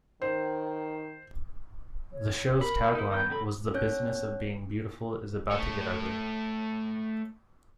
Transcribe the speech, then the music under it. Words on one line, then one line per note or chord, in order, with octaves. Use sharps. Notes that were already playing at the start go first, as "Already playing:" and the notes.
The show's tagline was The business of being beautiful is about to get ugly.
D#3 C5
C#5
A#4 B5
D#4 E4
D#3 B3 G5
C#3 F#3 A4 B5
C4 D4 C#5 F#6 G6
A3 C#5